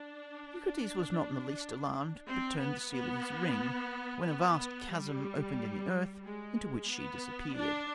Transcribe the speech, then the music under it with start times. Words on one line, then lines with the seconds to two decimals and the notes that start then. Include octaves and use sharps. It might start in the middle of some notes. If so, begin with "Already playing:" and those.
Eucrates was not in the least alarmed, but turned the seal of his ring, when a vast chasm opened in the earth, into which she disappeared.
Already playing: D4
2.28 C4
2.61 B3
2.93 B3
4.25 B3
4.91 G3
6.23 G#3
6.89 B3
7.55 D4